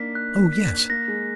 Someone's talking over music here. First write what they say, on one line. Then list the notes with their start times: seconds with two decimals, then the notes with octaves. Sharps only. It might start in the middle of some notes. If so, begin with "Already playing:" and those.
"Oh, yes."
Already playing: A#3 D4 D#4 B6
0.15 F#6
0.53 B6
0.90 A#3 A#6
1.08 G#3